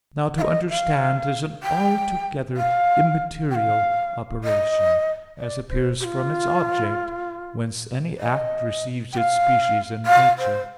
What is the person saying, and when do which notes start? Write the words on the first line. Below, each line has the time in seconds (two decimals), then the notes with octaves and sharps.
Now to understand is an altogether immaterial operation, as appears from its object, whence any act receives its species and nature.
0.38 F5
0.41 D#5
0.69 F5
1.63 G5
2.57 F5
3.50 G5
3.55 F5
4.44 D#5
5.38 D5
5.69 C5
6.00 G4
6.04 F4
8.19 D#5
9.12 G5
9.17 F5
10.06 F5
10.38 C5